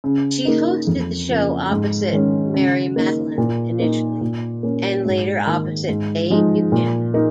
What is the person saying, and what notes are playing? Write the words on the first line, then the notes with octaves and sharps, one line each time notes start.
She hosted the show opposite Mary Matalin initially, and later opposite Bay Buchanan.
C#3
A#3 D#4
F2
C#3 F3 A#3
G#2
D#3 G#3 C#4
C#3
A#3 D#4
A#2
A#3 D#4
A#2
A#3 C#4
G#2
D#3 A#3
G#2
F3 G#3 D#4
A#2
A#3 D#4